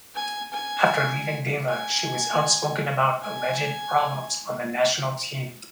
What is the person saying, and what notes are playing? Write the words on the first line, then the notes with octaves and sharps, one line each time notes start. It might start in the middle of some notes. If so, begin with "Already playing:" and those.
After leaving Deva, she was outspoken about alleged problems on the national team.
G#5
G#5
G#5
G#5